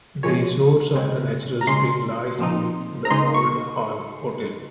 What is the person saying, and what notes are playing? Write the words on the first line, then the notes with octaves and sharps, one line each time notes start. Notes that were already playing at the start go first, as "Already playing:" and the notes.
The source of the natural spring lies beneath the Old Hall Hotel.
A#2 F3 G#3 C#5
C#3 G#3 C4
A#5
C#3 G#3 C#4 C6
A#2 F3 C4 D#4
A#5
C#3 G#3 D#4 C6
C#6